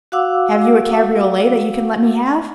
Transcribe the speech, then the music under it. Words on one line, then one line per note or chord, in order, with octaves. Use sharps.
"Have you a cabriolet that you can let me have?"
F#4 F5 F#5 D6 E6